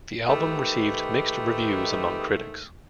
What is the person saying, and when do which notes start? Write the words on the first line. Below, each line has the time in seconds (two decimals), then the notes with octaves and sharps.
The album received mixed reviews among critics.
0.28 G#2 D#3 A3 G4 B4